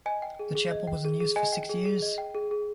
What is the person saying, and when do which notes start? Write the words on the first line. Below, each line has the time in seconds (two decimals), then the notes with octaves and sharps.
The chapel was unused for six years.
0.06 D#5 G#5
0.22 G5
0.39 G#4
0.55 G#4
0.71 D#5
0.87 G5
1.05 G#4
1.20 G#4
1.36 D#5 G#5
1.53 G5
1.69 G#4
1.86 G#4
2.02 D#5
2.18 G5
2.35 G#4
2.51 G#4